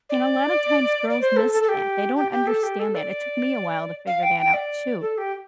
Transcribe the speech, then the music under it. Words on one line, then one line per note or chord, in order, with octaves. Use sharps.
And a lot of times girls miss that, they don't understand that, it took me a while to figure that out too.
D5
D5
C5
A4
A4
A4
G4
G4
G4
A4
G4
A4
D5
F5
G5
G5
D5
A4
G4